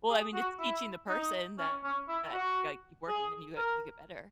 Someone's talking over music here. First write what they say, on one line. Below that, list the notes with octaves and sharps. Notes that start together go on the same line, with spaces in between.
Well, I mean, it's teaching the person that that ya gotta keep working and you, uh you get better.
G#4
F#4
E4
D#4
C#4
C#4
E4
F#4
G#4
A#4